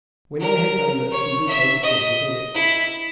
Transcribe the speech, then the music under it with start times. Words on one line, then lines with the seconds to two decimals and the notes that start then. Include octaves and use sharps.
When I had done this he became civil directly.
0.40 A#4
1.11 C#5
1.47 E5
1.83 D#5
2.54 E4